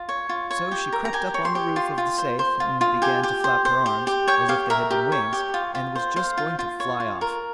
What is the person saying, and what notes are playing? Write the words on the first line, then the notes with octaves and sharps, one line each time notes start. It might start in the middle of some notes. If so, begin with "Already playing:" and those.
So she crept up on the roof of the safe and began to flap her arms, as if they had been wings, and was just going to fly off.
Already playing: F4
C#5
F4
C#5
G4
A#4
A#5
G4 G#5
C#5
C6
G4
F4 C6
F4
C5
C5
F4
F4
G4 G#5
G4
C5
C5
G4
G4
C#5 G5
G4 F5
A#4 E5
G4
C#5
G4
F4
F4
C5
C5 F5
F4
F4
C#5
F4
A#4